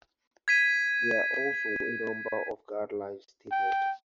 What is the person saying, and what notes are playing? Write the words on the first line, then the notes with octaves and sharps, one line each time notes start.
There are also a number of guidelines stated.
G#6 B6 D#7
G5